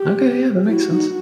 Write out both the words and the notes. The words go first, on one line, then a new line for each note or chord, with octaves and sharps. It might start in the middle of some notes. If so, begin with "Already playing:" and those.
Okay, yeah that makes sense.
Already playing: G4
E4 F#4
D#4